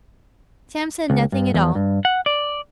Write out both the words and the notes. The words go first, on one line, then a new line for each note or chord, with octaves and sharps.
Sam said nothing at all.
C#2
G2
E2
G2
F#5
D5